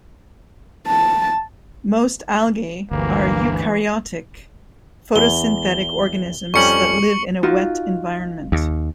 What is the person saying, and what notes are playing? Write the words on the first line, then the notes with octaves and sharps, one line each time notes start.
Most algae are eukaryotic, photosynthetic organisms that live in a wet environment.
A5
G1 D2 E3 A#3
E2 G7
F2 G3 C#4 C#6 C#7 F#7
D#4 F4 F#4
D#2